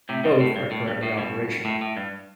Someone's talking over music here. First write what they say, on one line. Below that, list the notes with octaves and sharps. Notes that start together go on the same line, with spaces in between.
Both are currently operational.
A2 C3
G2 B2
A2
G2
A2
G2
A2
G2 B2
A2
A2
G2